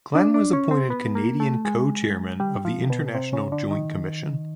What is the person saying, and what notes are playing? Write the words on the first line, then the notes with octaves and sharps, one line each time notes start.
Glen was appointed Canadian Co-Chairman of the International Joint Commission.
D4
D4
C#4
C4
B3
A#3
A3
G#3
G3
F3
B2
C3
C#3
D3
D#3